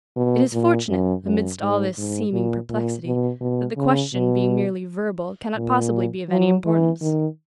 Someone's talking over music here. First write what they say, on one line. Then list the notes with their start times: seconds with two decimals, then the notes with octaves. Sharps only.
It is fortunate, amidst all this seeming perplexity, that the question, being merely verbal, cannot possibly be of any importance.
0.16 B2
0.53 A#2
0.88 F#2
1.24 F#2
1.60 G#2
1.98 G#2
2.33 A#2
2.70 A#2
3.05 B2
3.41 B2
3.77 C#3
4.14 B2
5.57 A#2
6.29 F#3
6.65 E3
7.01 D#3